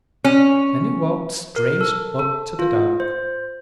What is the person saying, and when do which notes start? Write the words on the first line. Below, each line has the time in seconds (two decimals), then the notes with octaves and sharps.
Then he walked straight up to the dog.
0.24 C#4
1.56 A#4
1.81 A4
2.19 A4
2.59 F4
3.00 C5